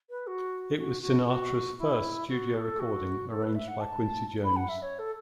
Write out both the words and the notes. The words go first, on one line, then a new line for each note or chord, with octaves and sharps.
It was Sinatra's first studio recording arranged by Quincy Jones.
B4
F#4
F#4
F#4
F#4
E4
F#4
A4
F#4
A4
B4
E5
F#5
A5
B5
F#5
E5
C#5
A4